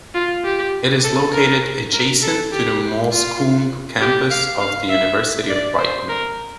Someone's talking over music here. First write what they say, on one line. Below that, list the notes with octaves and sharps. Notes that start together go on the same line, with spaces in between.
It is located adjacent to the Moulsecoomb campus of the University of Brighton.
F4
G4
A4
A#4
A#4
A4
G4
F4
G4
F5
F5
E5
D5
C5
A#4